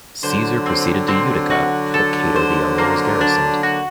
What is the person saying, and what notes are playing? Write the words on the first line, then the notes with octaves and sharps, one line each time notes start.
Caesar proceeded to Utica, where Cato the Younger was garrisoned.
D3 F#3 C5
C4
C4
F#4
A4
C5
A#3
D4
F#4